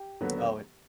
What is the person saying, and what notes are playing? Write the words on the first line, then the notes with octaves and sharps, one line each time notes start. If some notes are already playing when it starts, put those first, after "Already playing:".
Oh, it
Already playing: G4
D#2 D3 F#3 B3